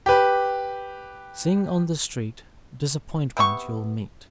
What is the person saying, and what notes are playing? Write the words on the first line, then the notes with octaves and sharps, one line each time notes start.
Sing on the street, Disappointment you'll meet.
G4 B4
C3 B3 E4 C#6